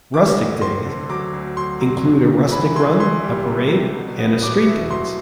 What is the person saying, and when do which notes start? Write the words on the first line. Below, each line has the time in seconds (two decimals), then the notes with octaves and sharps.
Rustic Days include a Rustic Run, a parade, and a street dance.
0.14 D2 D6
0.38 D2
0.62 C4 C6
0.85 D3
1.09 F#3 D6
1.33 D2
1.57 F#3 C6
1.81 F#3
2.04 C2
2.28 C3
2.52 E3 B5
2.76 E3 C6
3.00 E3 C6
3.24 G3
3.47 C3
3.71 C2
3.95 B2
4.19 B3
4.42 B2 D6
4.66 E4
4.90 F#3 C6